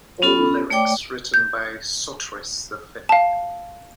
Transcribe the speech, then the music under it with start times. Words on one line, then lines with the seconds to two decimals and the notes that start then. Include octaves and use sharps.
All lyrics written by Sotiris the Fifth.
0.22 B3 C#4 F4 A4 B5
0.70 A3 C#5 D5 G5 D6
1.34 G6
3.09 F5 A5